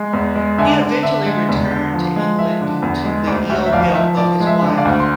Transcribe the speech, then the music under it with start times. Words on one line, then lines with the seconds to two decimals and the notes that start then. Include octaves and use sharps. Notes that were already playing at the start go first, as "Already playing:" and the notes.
He eventually returned to England due to the ill health of his wife.
Already playing: G#3
0.13 E2
0.36 G#3
0.58 D3 E5 G#5
0.81 D3
1.03 D3 E5
1.26 G#3
1.49 E2
1.71 D3
1.93 F3
2.16 G#3
2.38 F3 E5
2.61 D3
2.82 E2
3.05 G#3
3.27 D2 D5
3.50 D2 E5
3.66 E5
3.73 F3 D5 F5
3.95 F3 E5
4.17 F3 D5
4.40 G#3
4.47 E5
4.62 D3
4.77 D5 F5
4.85 D2
5.00 C6